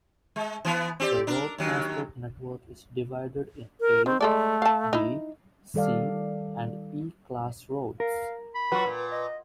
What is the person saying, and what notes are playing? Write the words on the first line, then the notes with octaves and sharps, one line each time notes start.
The Road transport network is divided in A, B, C and E class roads.
G#3
E3 B3
C4 G4 D5
D4 A#4
D#2 F#3
A#4
D#3 C4
G#3 A3 A4 D5
F5 A5
D#4 E4
D#3 G3 A4 D5 F5
A#4 F5
B5
F#3 F4 F#4 B4
A#2
D#5